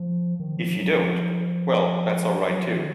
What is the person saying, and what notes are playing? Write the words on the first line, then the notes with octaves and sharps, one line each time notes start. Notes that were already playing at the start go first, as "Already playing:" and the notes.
If you don't — well, that's all right too.
Already playing: F3
D#3
F3
F#3
F3
F#3
F3
D#3